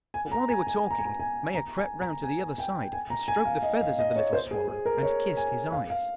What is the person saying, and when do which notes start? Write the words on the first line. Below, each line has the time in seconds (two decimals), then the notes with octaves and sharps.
But while they were talking, Maia crept round to the other side and stroked the feathers of the little swallow, and kissed his eyes.
0.14 G#5
0.32 A#5
0.50 G#5
0.67 G#5
0.91 A#5
0.99 G#5
1.05 A#5
1.20 G#5
1.54 A#5
1.77 G#5
2.01 A#5
2.23 G#5
2.58 G5
2.93 G#5
3.10 A#5
3.28 G#5
3.45 F5
3.63 D#5
3.81 F5
3.99 D#5
4.16 C#5
4.33 C5
4.51 G#4
4.68 G#4
4.86 A#4
5.03 C#5
5.37 G#5
5.72 F5
5.90 F5